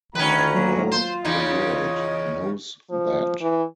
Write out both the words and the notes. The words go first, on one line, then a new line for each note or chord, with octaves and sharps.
All the world knows that.
D2 D#3 F3 C#4 B4 A#5
F#3 A#3
F4 C5
E2 C#3 D#4 C#5 D#5
F3
E3